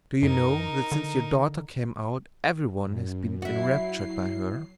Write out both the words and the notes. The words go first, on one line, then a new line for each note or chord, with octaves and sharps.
Do you know that since your daughter came out everyone has been enraptured by her?
F#2 D#4 A#4
D3
F#2
F#3 E4 F#4 C7